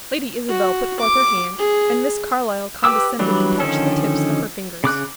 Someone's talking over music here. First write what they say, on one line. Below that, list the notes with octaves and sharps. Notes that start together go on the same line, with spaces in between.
Lady Isabel put forth her hand, and Miss Carlyle condescended to touch the tips of her fingers.
F#4
D6
G#4
G4 B4 G5 D6 E6
E3 F#3 G3 D4
D3 D#3 F3 C#4 A4
C#3 D6 F#6